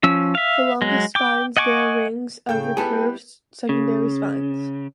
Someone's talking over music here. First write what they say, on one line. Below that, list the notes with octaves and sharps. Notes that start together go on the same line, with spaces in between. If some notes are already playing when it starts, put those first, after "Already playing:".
The longest spines bear rings of recurved secondary spines.
F3 C#4 E6
E5 F5
F#3 G#3
G5 D6
D#5 F#5 G#5 C#6 D6
A2 C#3 A4 G5 G6
G3 B3 E4 G#4 A4 B4
C#3